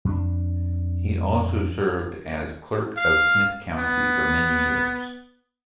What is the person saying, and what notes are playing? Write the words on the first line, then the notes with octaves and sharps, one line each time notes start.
He also served as Clerk of Smith County for many years.
F2 D4
F5
B3